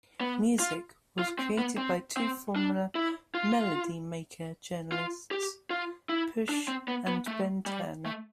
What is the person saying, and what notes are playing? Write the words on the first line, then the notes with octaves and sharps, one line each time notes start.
"Muzik" was created by two former "Melody Maker" journalists, Push and Ben Turner.
B3
F4
F4
C4
B3
C4
C4
D4
E4
F4
F4
G4
F4
E4
D4
C4
B3
B3
A3
G3
A3